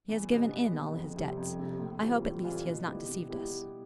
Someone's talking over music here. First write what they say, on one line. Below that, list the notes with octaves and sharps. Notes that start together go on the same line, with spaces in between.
He has given in all his debts; I hope at least he has not deceived us.
E2
B2 G3 B3
E2
B2 G3 B3
F2
C3 G3
F2
C3 G3
A2
E3 G3 C4 F4
A2
E3 G3 C4 F4
B2
G3 B3 E4 G4
B2
G3 B3 E4 G4